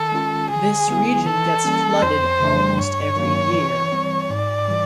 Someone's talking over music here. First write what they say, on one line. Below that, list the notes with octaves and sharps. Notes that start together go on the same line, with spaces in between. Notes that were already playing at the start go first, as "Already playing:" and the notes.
This region gets flooded almost every year.
Already playing: D#3 A4
G#3 C#4 F4
D3 G#4
G3 B3 E4
E3 A4
G3 A#3 C#4
F2 C5
C#3 E3 A3 D4
G2 C#5
D#3 F#3 A#3
E3
G3 C4
G#2 D5
E3 G3